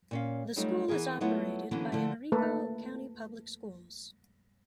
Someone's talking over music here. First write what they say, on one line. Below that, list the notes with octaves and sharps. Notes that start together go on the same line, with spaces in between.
The school is operated by Henrico County Public Schools.
A#2 C#4 F5
F#3 G3 A3 D#4 F4
E3 B3 G#4 A#4
F#3 A3 B3 E4 F4
D3 E3 F#3 A#3 B3 C#4
D3 F3 A3
A3 A#3 A4 B4